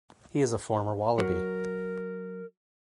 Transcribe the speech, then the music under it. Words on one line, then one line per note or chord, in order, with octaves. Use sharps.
He is a former Wallaby.
F#3 A#4